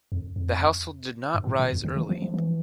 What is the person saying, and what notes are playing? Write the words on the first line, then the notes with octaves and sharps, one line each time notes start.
The household did not rise early.
F2
F2
G2
A2
B2
F2
D3
E3
F3
F3
E3